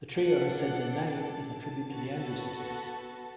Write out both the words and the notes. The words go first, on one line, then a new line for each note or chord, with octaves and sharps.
The trio has said their name is a tribute to The Andrews Sisters.
D4 A4 F#5
A5
B3 F#4 A4